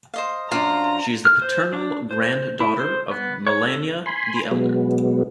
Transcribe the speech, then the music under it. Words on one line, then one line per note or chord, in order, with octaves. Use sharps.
She is the paternal granddaughter of Melania the Elder.
C5 D#5 F5
F#2 D4 F4 C5 F5 A#5
F6
C5
D4
C5
E4
C5
B3
C#5
A4
G#5 B5 C6
B2 F#3 G#3 B3